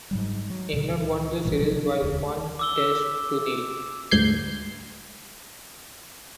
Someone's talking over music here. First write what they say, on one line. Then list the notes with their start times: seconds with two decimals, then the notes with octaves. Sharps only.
England won the series by one Test to nil.
0.11 G#2 F#3 G3
0.50 F#3
0.73 C#2 A#2 C#3
1.45 A1 G2 A#2 E3
1.60 C3 F3 F#3 D4
2.02 E1 D2
2.59 D6 E6 G7
4.11 D2 G#2 G6 G#6 C7